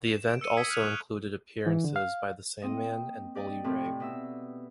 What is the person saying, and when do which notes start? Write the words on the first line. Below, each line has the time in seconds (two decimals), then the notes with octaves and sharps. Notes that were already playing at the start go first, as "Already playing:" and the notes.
The event also included appearances by The Sandman and Bully Ray.
0.05 E7
0.29 D7
0.41 E6 C#7 D#7
0.57 D#6 E6 G#6 B6
0.70 F6 F#6 G#6 D#7 F7
0.82 C#6 F#6 D#7 E7
1.66 E3
1.84 D3
1.96 F5
2.62 A#3 C4 D#5
3.35 G4 D5 D#5
3.64 A2 C3 C4
4.00 B2 E5 E6